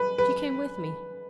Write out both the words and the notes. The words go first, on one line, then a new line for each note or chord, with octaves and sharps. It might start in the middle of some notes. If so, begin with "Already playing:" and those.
She came with me.'
Already playing: B4
B4